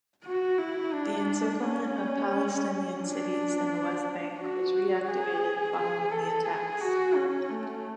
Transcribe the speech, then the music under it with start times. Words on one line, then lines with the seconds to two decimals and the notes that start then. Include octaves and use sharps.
The encirclement of Palestinian cities in the West Bank was reactivated following the attacks.
0.24 F#4
0.58 E4
0.93 D4
1.62 C#4
3.00 D4
4.39 F#4
5.08 G#4
5.77 G#4
6.11 A4
6.46 G#4
6.81 F#4
7.16 C#4
7.50 A3